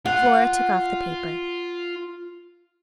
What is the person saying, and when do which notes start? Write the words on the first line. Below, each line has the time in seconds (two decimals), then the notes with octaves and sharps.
Flora took off the paper.
0.06 F4 F#5